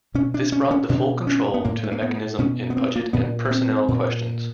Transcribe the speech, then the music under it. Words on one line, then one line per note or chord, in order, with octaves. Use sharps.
This brought the full control to the mechanism in budget and personnel questions.
B2 C#4
D4
C#4
C#4
B2 D4
C#4
B3
A2 A#3
A3
A#3
B3
B2 C#4
B3
C4
A#3
A#2 B3
B3
C4
A#2